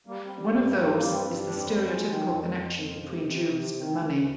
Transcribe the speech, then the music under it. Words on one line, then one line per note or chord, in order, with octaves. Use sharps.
One of those is the stereotypical connection between Jews and money.
G3 A#3
C4
G3
A#3
G2
A#3
G3 C4
A#3
G2 C4
G3
D4
F2 C4
G#3
D#3
F2 C4
F2
F2
C3
C3
C3
D#3
D2